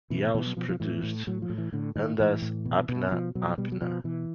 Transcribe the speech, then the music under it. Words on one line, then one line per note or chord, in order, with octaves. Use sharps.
He also produced "Andaz Apna Apna".
B2 E3
B2 E3
F#3
B2 F3
F3
A2 E3
A2
A2 F#3
F3
A2
E3
A2 D3
A2 D#3
A2 E3
A2
B2
B2
B2 F3
B2 F#3
B2 G3
F#3
B2 F3
B2 E3